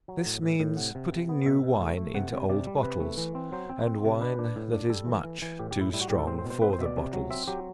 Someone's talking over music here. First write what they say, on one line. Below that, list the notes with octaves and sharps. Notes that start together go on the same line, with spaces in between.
This means putting new wine into old bottles, and wine that is much too strong for the bottles.
F#3
A2
A2
A2
C3 F#5
C3
C3
B3
B2 E5
B2
A3
A3
C3 F#5
C3
C3 D5
G3
C3 B4
A3
E3
C4
F#3 C5
C4
C4
C3
D4 B4
D4
A2
D4
G3 A4
E3
E3
E3
A2 G4
G4
A2 E4
G3 E4
F#4
A2 G4
A4
C4 C5
C5
B2
C5
C4 B4
C5
B2 E5
D5
C3
F#3
C4 E5
F#3 G4